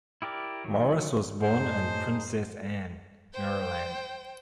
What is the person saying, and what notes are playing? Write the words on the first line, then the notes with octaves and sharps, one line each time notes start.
Morris was born in Princess Anne, Maryland.
E4 G4 A#4 D5
D#3 F#3
F#2 A2 D#4 G#4 C5 A5
C5 G5